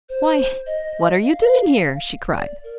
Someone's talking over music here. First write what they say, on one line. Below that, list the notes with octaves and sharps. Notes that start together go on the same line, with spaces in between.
"Why, what are you doing here?" she cried.
C5
D#5
F5
D5
A#4